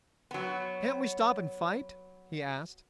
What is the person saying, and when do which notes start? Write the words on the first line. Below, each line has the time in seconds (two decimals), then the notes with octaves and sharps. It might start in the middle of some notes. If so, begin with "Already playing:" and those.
"Can't we stop and fight?" he asked.
0.31 F#3 B3